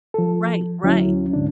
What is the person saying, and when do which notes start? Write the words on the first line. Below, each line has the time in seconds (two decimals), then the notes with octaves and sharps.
Right, right.
0.14 F3 A4
0.83 D2 F#3 C#4 E4
1.33 G#2 D3 D4